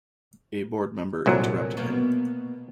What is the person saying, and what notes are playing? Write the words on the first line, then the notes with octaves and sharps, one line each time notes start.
A board member interrupted him.
C2 A#2 F#3 A3 A#4
B2 A#3 B3